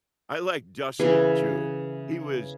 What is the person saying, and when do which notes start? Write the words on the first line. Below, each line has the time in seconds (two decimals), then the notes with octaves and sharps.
I like Dustin too. He was
0.99 C#3 E3 G#4 E5